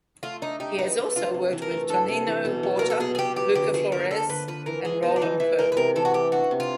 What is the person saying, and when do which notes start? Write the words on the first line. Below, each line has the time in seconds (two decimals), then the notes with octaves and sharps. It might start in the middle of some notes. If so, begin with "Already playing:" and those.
He has also worked with Toninho Horta, Luca Flores and Roland Kirk.
0.23 A3 F4
0.42 D4 D#4
0.60 D#4 G4
0.78 D#4 B4
0.98 A3
1.16 D4 F4
1.34 C3
1.53 E3
1.62 A#4
1.71 A3
1.89 D4 A4
2.08 C3
2.27 E3
2.45 B2
2.63 F#3
2.79 A#3 A#4
2.90 A4
3.00 B2 G#4
3.15 G#4
3.18 B2 G4
3.36 F#3 G4
3.55 D3 G4
3.74 F3 G#4
3.92 A#3 A#4
4.11 D3 A4
4.29 D3 B4
4.48 F3 B4
4.66 E3 A#4
4.85 G#3 G#4
5.02 B3 D#4
5.16 D4
5.21 E3 D#4
5.40 E3 E4
5.59 G#3 A#4
5.72 B4
5.77 C3 A#4
5.96 E3 A4
6.05 F#4
6.14 A3 G4
6.32 D4 F#4
6.51 C3
6.60 F4